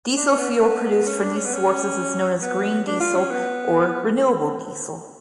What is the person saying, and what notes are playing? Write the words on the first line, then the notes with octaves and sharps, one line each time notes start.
Diesel fuel produced from these sources is known as "green diesel" or "renewable diesel".
D4
C#4
B3
C#4
B3
C#4
D4
C#4
B3
C#4
B3
D4
F4
C#4
B3